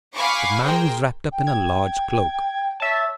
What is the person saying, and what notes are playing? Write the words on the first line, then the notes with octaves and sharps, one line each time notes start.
The man was wrapped up in a large cloak.
F5 F#5 G#5 B5 C#6 D6
G#4 A#4 C5 G5
G5
G#6
C#5 E5 A5